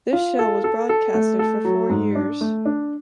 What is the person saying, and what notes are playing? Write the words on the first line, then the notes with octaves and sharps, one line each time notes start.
This show was broadcasted for four years.
F4
A4
A4
A4
A3
A4
F#3
G#2
D4
A3
D4